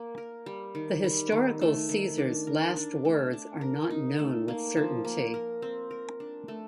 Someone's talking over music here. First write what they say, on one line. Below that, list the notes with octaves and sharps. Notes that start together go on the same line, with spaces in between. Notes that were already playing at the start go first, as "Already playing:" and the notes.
The historical Caesar's last words are not known with certainty.
Already playing: A#3
A#4
G3
D#3
G3
D#3
A3
D#3
D4
A#4
D4
A3
D4
A#4
D#4
A3
A#3
F3
A#3
A#4
C4
A#4
D4
A3